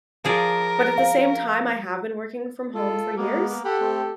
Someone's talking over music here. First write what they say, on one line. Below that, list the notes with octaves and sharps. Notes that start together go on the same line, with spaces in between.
But at the same time, I have been working from home for years
F3 G#4 A#4 D5
F5
G#3 F4 A4
G#3 A#3 B3
A#3
G4 A4 F#5 B5
A3 C4